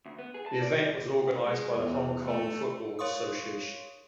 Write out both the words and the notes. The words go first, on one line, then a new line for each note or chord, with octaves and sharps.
The event was organized by the Hong Kong Football Association.
D2
B3
G#4
A5
D5
G#3
E2
A3
A#4 C#5 F5 C6 C#6 D#6